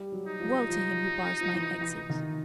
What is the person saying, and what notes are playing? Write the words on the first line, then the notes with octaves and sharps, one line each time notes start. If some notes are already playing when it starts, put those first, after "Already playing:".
Woe to him who bars my exit!
Already playing: G3
F#3
D#4
F3
F3
F3
E3
E3
D#3